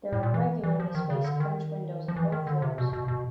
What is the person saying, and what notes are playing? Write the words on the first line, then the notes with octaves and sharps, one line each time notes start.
There are regularly spaced French windows at both floors.
A2
A#2
E3
E3
F3
D#3
C#3
D3
D#3
F3
E3
D#3
D3
C3
B2
B2
B2